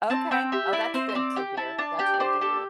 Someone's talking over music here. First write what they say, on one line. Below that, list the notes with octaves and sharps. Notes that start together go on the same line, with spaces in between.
Okay. Oh, that's good to hear. That's good to hear.
C4 A5
C4 G5
G4 E5
E4 D5
C4 C5
C5
C4 D5
G4 G5
E4 A5
D4 A5
G4 G5
D5
D4 C5
G4 A4